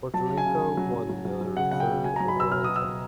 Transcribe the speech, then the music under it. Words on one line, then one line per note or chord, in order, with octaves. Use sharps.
Puerto Rico won their third overall title.
F#3 A5
C#3
G#5
C#3
C#3
F#3
F#3
F#3
F#3
F#3
C#3 F#5
C#3 F#5
G5
C#3
F#3 G#5
F#3 A#5
B5
B2 E6
B2 F6
B2 D#6
E6
B2